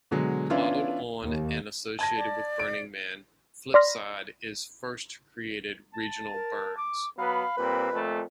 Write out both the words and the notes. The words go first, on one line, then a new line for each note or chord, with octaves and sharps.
Modeled on and associated with Burning Man, Flipside is First created Regional Burns.
B2 D3 F#3 G#3
E3 B3 C#4 D4 E4 F4
D#2
A5 G#6 A#6
D5
D7
D5 B5 C6 F6 A#6 B6
A5
A#4
D6
F#3 B3 B4 F5 B5
A#2 G3 C4 B4
F2 A#2 A3